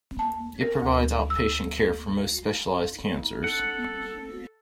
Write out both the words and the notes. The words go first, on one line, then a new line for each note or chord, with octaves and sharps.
It provides outpatient care for most specialized cancers.
A5
A#4
D2
E6
A4 F#5